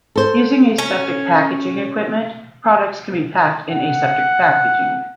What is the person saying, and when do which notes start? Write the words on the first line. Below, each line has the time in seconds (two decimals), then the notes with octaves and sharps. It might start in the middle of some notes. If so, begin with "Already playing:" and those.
Using aseptic packaging equipment, products can be packed in aseptic packaging.
0.16 A4 C5
0.78 C#4
3.71 F#5